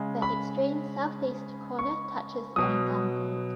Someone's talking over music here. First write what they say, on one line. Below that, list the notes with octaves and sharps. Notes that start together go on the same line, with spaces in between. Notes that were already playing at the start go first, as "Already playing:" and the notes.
The extreme southeast corner touches on Gun Lake.
Already playing: C#3 G#3
B5
C#6
B2 F#3 D#6